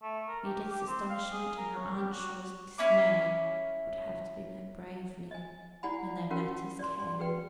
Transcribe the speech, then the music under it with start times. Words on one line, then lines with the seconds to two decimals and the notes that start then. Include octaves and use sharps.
Edith's astonishment and her aunt Shaw's dismay would have to be met bravely, when their letters came.
0.02 A3
0.28 A#4
0.44 G4
0.71 G4
0.87 C4
1.09 F5
1.31 G#4
1.58 A#4
1.76 C#5
1.97 G4
2.11 F#4
2.78 C#4 E4 D6
5.31 D#5 G#5
5.83 E4 D5 F#5 G#5 B5
6.31 C#4 F4 F#4 A#4 F#5 G5
6.79 D5 C6
6.99 C6
7.19 F#4 G#4 B4 G5